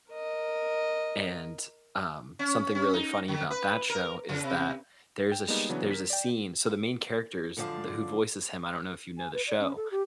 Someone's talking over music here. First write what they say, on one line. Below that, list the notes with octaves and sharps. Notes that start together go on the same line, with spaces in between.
and, um, something really funny about that show is that there's a sh there's a scene so the main characters th who voices him, I don't know if you know the show,
A#4 D#5
C#4
C#4
D#4
D3
B4
A#4
C#3
C3
G5
G3 G#3 A#3 B3 D#4
C#3 E3 F#3 B3 D4
A#4 B6
D5 G5
F#2 D3 F3 D5 F5 A5
G#5
B4
D5
C#4
A4
G4